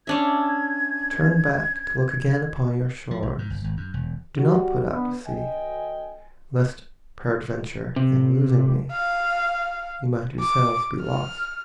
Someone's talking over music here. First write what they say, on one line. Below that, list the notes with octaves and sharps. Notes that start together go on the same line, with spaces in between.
Turn back to look again upon your shores; Do not put out to sea, lest peradventure, In losing me, you might yourselves be lost.
C#4 D4 E5 G#6
F3
A#1
G#2
G1
G#1
F#2
E1
G3 F#4
B3 D4
D2 D#5 G5 G#5
C3
F5
D6
F6